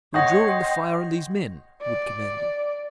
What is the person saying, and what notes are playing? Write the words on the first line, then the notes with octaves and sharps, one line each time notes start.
"You're drawing the fire on these men," Wood commanded.
C#5 D#5 F#5 G5 C6 D#6 G6 A#6
D5